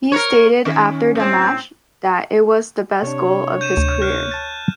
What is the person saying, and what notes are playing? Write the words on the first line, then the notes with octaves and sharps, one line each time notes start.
He stated after the match that it was the best goal of his career.
A#4 B4 C#5
D#3 C#4
A2 C4
C3 D4 C#5
G6 D#7 E7
D2
F6 F#6
A5 A6